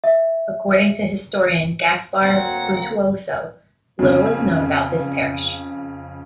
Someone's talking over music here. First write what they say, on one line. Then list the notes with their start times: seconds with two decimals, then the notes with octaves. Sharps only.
According to historian Gaspar Frutuoso, little is known about this parish.
0.04 E5
2.23 D2 F#3 A#3 C4 F#5 A#5
3.99 F2 C#3